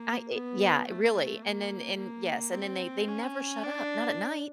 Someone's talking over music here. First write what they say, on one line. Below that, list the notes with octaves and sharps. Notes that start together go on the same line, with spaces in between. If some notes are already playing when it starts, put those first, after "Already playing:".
I eh yeah, really, and, then and yes. And then they they never shut up, not at night.
Already playing: A#3
B3
A3
A#3
A#3
C4
C#4
D4